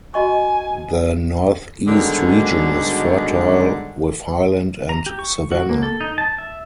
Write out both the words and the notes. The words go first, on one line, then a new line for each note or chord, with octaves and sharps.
The northeast region is fertile with highland and savannah.
F#4 D#5 G#5 C#6
G#2 B2 D3 D#3 F#3 G3
A#5
G4
C#6
F#4
A#3
A4
D#4
A5
E5